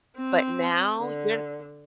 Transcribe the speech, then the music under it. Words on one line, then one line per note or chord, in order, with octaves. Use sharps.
But now you're
C4
D3